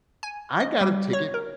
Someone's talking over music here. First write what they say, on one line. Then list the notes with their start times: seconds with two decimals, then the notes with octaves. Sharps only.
I got a ticket
0.23 G#5
0.60 D#5
0.81 G3
1.13 C#5
1.34 A#4